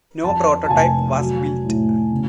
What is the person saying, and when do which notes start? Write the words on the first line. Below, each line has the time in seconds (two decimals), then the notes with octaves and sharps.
No prototype was built.
0.23 F2 A5
0.64 A5
0.70 F1 G#5
1.18 F#3
1.64 A2
2.12 C#3